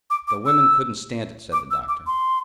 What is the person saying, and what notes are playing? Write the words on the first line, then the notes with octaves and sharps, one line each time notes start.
"The women couldn't stand it," said the Doctor.
D6
D6
E6
D6
E6
D6
C6